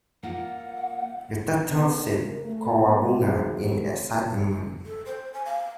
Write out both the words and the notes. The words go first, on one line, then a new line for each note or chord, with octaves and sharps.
The turtles said "cowabunga" in excitement.
A#3 F4 F#5
B3 D4
C#3 A#4
A3
A3 B3
D#3 F#3 C4 G#4 C5
B3 G4 A4 C#5
A4
C5
G#5
F5